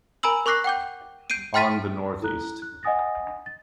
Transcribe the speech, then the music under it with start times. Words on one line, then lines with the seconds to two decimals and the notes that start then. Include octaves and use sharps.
On the Northeast.
0.23 A#4 G#5 A#5 B5 E6 F#7
0.46 A#4 C#6 D6 F#6 A#6 C7
0.64 F#5 G5 D6 G6
1.30 G6 C7 D7 D#7
1.54 G5 C6 F6 A6 B6 D#7
2.22 E4 A4 A#5 F#6
2.62 F#6
2.83 D#5 F#5 G#5 D#6 A6 A#6
3.46 A6